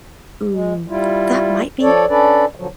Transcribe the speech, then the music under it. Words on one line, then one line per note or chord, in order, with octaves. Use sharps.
Mm, that might be
G#3
G3 E4 F4
F3 A4 C#5 D5
C#4 D4 A4 B4 D5
A#2 D3 F3 F#3